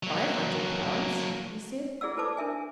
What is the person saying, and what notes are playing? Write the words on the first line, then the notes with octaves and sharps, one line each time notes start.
"Five hundred pounds," he said.
F#3 A#3
E4 G#4 D5 F#5 E6
E4 A4 B4 C5 A5 D6
D4 A#4 E5 G#5